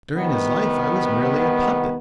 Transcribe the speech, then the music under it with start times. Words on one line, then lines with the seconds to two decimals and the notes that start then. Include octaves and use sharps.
During his life I was merely a puppet.
0.16 C2 D#3 B3